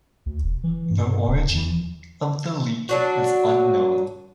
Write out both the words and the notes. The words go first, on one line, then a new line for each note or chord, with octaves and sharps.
The origin of the leak is unknown.
D2
E1
E3
G2
G2
D1
E2
F#3 D4 F#4